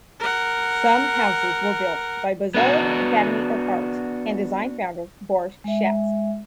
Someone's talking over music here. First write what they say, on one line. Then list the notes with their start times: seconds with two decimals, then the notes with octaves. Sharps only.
Some houses were built by Bezalel Academy of Art and Design founder Boris Schatz.
0.20 A#4 F#5
2.54 B3 D4 F#4
5.64 G#3 E5